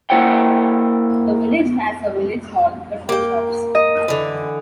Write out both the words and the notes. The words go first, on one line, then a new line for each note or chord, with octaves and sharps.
The village has a village hall but no shops.
A#3 E4 C5 F#5 G5
A#3 G5
D#5
D3 E3